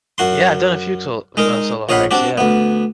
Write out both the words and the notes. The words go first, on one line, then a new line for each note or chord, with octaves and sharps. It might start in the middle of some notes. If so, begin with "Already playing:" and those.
Yeah, I've done a few tol uh, solo hikes, yeah.
F#2 F#4 C6
G#3 D#4 A#4
A#1 C#5 D#5 F5 F#5 B5
C4 D4 F#4 G4
D2 B3